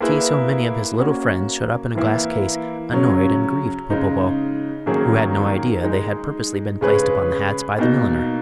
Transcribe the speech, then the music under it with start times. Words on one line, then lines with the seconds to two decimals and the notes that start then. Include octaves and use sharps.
To see so many of his little friends shut up in a glass case annoyed and grieved Popopo, who had no idea they had purposely been placed upon the hats by the milliner.
0.01 A#3 E4 G#4 B4
0.99 A#3 C#4 F#4
1.95 E3 A#3 E4
2.92 C#3 F#3 C#4
3.90 C#3 G#3 D#4
4.86 D#3 F#3 A#3 C#4 G#4
5.84 G#3 D#4 G#4
6.81 C#3 G#3 C#4 G#4 B4
7.78 B2 A#3 D#4